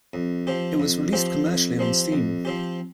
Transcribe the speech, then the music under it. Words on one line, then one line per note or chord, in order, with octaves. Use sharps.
It was released commercially on Steam.
F2
F3 C4 G4
F2
F3 C4 G4
F2
F3 C4 G4
F2
F3 C4 G4